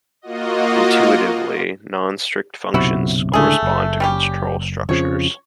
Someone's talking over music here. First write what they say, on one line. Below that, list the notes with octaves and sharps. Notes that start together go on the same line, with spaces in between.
Intuitively, non-strict functions correspond to control structures.
A#3 F4 F#4 D#5
F#1 B1 C3 E4 F#4
C#2 A2 D3 A3 G#4
F#1
G3 C#4 G4
F2 C#3 F3 C#5